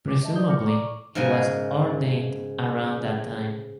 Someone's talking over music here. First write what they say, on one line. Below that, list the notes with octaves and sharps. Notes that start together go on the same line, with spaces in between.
Presumably he was ordained around that time.
D6
D#5 E5 A5
D#4 F4 D5 D#6 G6 G7
D6 F6 A#6 C#7
D5 A#5 C#6 D6
G#2 C#3 A#4 G#5